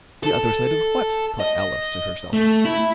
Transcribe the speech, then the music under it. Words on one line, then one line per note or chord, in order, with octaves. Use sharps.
The other side of WHAT?' thought Alice to herself.
A4
D#5
A3
E4